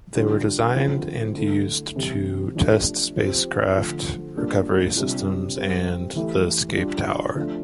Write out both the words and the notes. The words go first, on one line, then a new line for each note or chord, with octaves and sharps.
They were designed and used to test spacecraft recovery systems and the escape tower.
D3 G3 D4 F4
D3 F3 C4 E4
D3 A3 E4
C3 E3 G3
F3 A3 D4 G4
F3 C4 G4
D3 F3 A3
G3 A#3 D4 F4
C3 G3 D4 F4
G3 C4 G4
E3 A3 E4 G4
G3 D4 F4
F3 A3 D4 F4